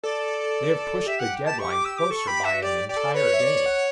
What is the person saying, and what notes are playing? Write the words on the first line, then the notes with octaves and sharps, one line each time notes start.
They have pushed the deadline closer by an entire day.
A4 D5
G4 E5
F#5
A5
C#6
D6
E6
D6
A4 C#6
G4 B5
F#4 E5
G4 D5
G4 D5
A4
B4 C#5
E5
D5
F#5